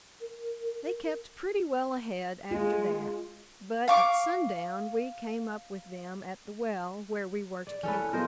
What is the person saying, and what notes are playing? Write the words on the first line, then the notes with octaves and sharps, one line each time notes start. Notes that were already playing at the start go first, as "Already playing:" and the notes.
They kept pretty well ahead after that, but at sundown we came up with them at the well where we were to camp.
A#4
G#3 F4
F5 C#6 D6
D5
E3 C#4 A4 B4
F#3 B3 F4 A#4 C5 D#5